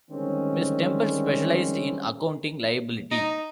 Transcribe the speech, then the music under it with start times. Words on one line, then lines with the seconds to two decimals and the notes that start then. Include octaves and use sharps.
Ms. Temple specialized in accounting liability.
0.10 D3 D#3 G3 G#3 C4 C#4
3.11 D#4